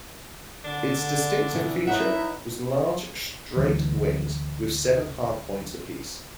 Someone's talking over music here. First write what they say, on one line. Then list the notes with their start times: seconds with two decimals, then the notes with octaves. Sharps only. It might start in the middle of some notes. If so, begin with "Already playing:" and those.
Its distinctive feature was large straight wings with seven hard points apiece.
0.64 D3 D4
1.51 F2 B2 E3
1.87 D#4 E4 B4 C#5 E5 F#5
3.57 G1 D2 E3